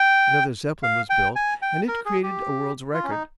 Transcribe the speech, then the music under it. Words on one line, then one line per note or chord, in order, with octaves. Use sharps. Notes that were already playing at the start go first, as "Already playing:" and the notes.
Another Zeppelin was built and it created a world's record.
Already playing: G5
F5
G5
G#5
G5
A#4
G#4
G4
F4
C#4
D#4